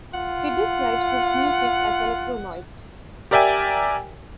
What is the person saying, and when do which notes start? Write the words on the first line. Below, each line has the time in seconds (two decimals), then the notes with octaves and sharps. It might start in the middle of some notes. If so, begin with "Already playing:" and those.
He describes his music as electro-noise.
0.14 F4 F#5
3.31 G4 A#4 D5 E5 G5 G#5